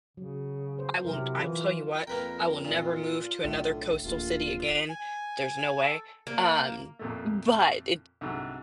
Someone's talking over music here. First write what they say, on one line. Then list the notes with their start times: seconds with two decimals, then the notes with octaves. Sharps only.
I won't I'll tell you what, I will never move to another coastal city again, there's no way, um, but, it
0.17 C#3 F#3
0.79 C5
1.05 C3 F#3 E4 A#4
1.40 E3 F4
2.07 F2 A#3 A#4 B4 G5
2.65 A#2 F4
3.44 B1 A2 D3
4.05 D#1 A#1 F4
4.89 G#5
5.83 A4
6.27 A#3
6.99 F2 A#2 A3
8.21 C2 G#2 D3 F#3